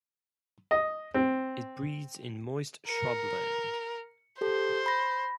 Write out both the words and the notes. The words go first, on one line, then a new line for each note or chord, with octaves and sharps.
It breeds in moist shrubland.
D#5
C4
A#4 C#7
G4 A4 C5
B5 A#6